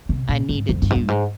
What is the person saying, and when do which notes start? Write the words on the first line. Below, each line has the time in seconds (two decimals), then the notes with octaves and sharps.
I needed to
0.09 C3
0.29 A#2
0.49 G#2
0.69 F2
0.82 G2
0.90 G#2
0.96 G2
1.08 G#2